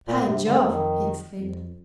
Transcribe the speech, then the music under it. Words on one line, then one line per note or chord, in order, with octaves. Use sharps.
"By Jove!" he exclaimed.
A#2
G2 C3
D3
F2 D#3
F2